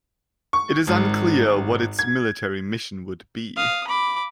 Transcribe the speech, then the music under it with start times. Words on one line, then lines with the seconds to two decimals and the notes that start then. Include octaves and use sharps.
It is unclear what its military mission would be.
0.53 C#6
0.87 G#1
1.99 G#6
3.56 F5 D#6
3.87 B5 D6